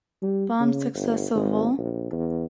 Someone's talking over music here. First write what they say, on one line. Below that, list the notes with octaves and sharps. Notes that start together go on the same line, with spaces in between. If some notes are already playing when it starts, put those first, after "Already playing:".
Bom Sucesso Vol.
G3
C#3
G1
G#1
A#1
E2